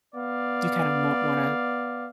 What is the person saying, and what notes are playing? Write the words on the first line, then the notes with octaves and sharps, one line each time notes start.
you kinda mor wanna
B3 D5 F5